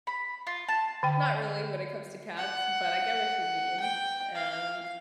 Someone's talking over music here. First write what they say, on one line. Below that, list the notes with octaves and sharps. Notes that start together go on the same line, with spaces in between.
not really when it comes to cats, but I get what you mean, and
B5
F4
A5
D3 G5
F#5
G5
F5